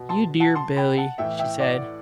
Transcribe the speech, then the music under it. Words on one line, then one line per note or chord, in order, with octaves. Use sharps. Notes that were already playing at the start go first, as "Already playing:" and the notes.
"You dear Billy," she said.
Already playing: B2
A5 C6
F#5 A5
A5 C6
G5 B5
F#5 A5
A2 E3 E5 G5
E5 G5
D5 F#5